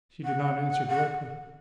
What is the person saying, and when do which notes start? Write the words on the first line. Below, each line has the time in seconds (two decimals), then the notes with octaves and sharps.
She did not answer directly.
0.24 F#5
0.89 F#5